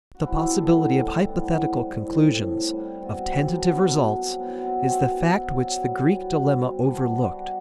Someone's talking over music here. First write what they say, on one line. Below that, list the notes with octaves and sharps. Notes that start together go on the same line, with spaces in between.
The possibility of hypothetical conclusions, of tentative results, is the fact which the Greek dilemma overlooked.
F#4
G3 C4 E4
C4
B3 D4
A2
C4
G3 C4
C4
A2 B3 D4
C4 E4
G3
A2
A2
G3
B2 C4
C4
F#3
B3 D4
B2 B3 D4
F#3 C4
B2 B3
C4
B2
C4
B2
F#3
G3
B2
B2 C4
G3 B3 D4
G3 D4 F#4